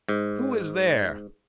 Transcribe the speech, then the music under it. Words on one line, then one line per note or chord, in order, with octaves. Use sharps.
Who is there?
G#2